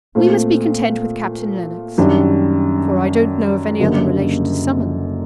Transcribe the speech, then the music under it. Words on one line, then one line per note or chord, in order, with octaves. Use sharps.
We must be content with Captain Lennox; for I don't know of any other relation to summon.'
A#2 A3 C4
F#2 D#3 G3 D4
F#1 F#2 D3 G3 A#3